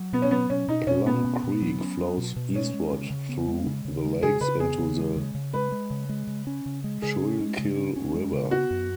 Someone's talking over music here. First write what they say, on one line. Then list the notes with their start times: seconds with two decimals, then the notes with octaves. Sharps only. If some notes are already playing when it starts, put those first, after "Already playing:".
Plum Creek flows eastward through the lakes into the Schuylkill River.
Already playing: F#3
0.13 B2 B3
0.22 C#4
0.31 F#3 B3
0.50 B2 C#4
0.68 B2 D#4
0.87 B2 C#4
1.06 B3 C#4
1.24 B2
1.44 B2
1.62 F#3
1.80 C#4
2.00 F#3
2.18 B2
2.36 B2
2.55 G#3 C#4
2.73 G#3
2.93 C#3
3.10 C#3
3.29 B3
3.48 G#3
3.67 C#3
3.85 C#3
4.04 G#3
4.23 C#3 G#4
4.41 C#3 B4
4.60 B3 G#4
4.79 C#3
4.98 G#3
5.16 C#3
5.35 C#3
5.53 G#3 B4
5.72 G#3
5.90 C#3
6.09 G#3
6.27 C#3
6.47 C#4
6.66 C#3
6.84 G#3
7.02 C#3 G#4
7.22 C#4
7.40 G#3
7.58 C#3
7.76 C#4
7.96 C#4
8.15 G#3
8.32 C#3
8.51 B3 F#4
8.70 F#2